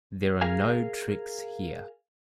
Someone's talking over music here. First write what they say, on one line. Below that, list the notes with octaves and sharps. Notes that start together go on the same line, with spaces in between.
There are no tricks here.
G#4 A#4 F5 G#5